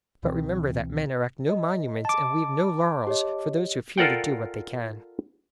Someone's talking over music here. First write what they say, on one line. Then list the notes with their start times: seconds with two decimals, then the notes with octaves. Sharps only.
But remember that men erect no monuments and weave no laurels for those who fear to do what they can.
0.23 C#2 B2 E3 C4
1.49 D#5
2.05 A5 D6
3.07 G4 C#5 D#5
3.98 F4 A4 A#4 D5 F#5 G5